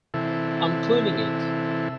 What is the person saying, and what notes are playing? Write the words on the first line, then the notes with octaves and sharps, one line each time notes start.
I'm cleaning it.
C3 E3 E4 A4